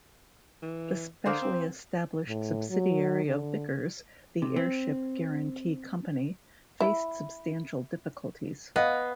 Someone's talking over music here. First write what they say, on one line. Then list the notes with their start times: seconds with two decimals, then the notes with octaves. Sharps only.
The specially established subsidiary of Vickers, the Airship Guarantee Company, faced substantial difficulties.
0.62 E3
1.26 D3 A#3 G#4 C5
1.42 C4
2.28 A2
2.70 F#3
3.25 D3
4.42 C3
4.56 C4
6.80 E4
8.76 B3 D#5 F5